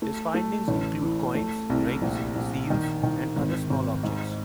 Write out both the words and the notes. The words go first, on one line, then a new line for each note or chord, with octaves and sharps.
His findings include coins, rings, seals and other small objects.
A3
A3
A1
E3
A3
C2
A#1
A#1
D#3
D#3
G#1
G#1
G#2